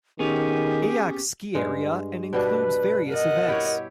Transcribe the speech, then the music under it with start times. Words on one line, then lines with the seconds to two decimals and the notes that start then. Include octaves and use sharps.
Eyak ski area and includes various events.
0.19 D#3 B3 C#4 G4 G#4
1.55 G2 G#3
2.33 B2 G3 D4 B4
3.09 A#4 D#5 F#5
3.48 E4 G4 C#5